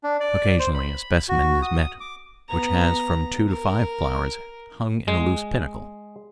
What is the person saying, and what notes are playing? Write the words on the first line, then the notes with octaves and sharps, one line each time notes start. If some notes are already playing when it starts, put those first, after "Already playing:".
Occasionally a specimen is met which has from two to five flowers hung in a loose panicle.
D4
D5
C5
B5
F#4
D#6
D6
B3 A#5
A#4
G#3